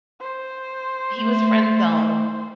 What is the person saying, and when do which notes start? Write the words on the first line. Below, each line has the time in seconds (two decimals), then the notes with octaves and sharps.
he was friend zoned
0.20 C5
1.19 A3